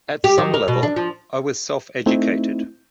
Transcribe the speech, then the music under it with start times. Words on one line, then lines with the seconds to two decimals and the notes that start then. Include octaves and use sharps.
At some level, I was self-educated.
0.24 G4
0.38 D#3
0.54 A#4
0.68 B2
0.83 D4
0.96 F3
2.06 A3 C4 D#4 E4